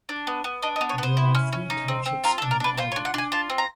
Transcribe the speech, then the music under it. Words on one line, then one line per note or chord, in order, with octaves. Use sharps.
There are three townships on the island.
D4
B3
B3
D4 D#5
D#5
B3
C#5
B3 C5
E4
C#4
C#4
D#4
C4
C4
F4 A#4
A4
D4
A#4
D4 B4
F4 C5
C#5
D4
F#5
D4 G#5
F4 A5
C4
A#5